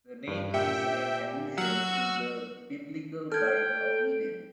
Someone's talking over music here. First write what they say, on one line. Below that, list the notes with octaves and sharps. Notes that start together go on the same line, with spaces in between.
The name is an allusion to the biblical Garden of Eden.
G2
A#2 G4 E5 G5 C#7
F#3 F#4 F#5 E6 F6
A4 G5 F6 G#6